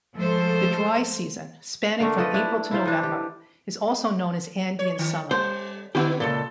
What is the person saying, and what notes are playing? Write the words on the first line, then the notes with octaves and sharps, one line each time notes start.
The dry season, spanning from April to November, is also known as "Andean summer".
F3 G#3 A3 A4 C5
D3 A3 A#4
F3 A4 B4 D#5
D4 E4
E4 F4 C5
E3 D4
G4
C#5
D#3
G3 C5
D3 B3 E4 F#4 G4
C#2 F#2 A#2 A4